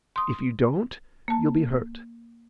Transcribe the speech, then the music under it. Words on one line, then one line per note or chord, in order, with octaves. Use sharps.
If you don't you'll be hurt.
C6 D#6
A#3 A5